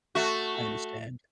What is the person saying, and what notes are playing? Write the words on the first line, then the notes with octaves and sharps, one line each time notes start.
I understand.
A3 F#4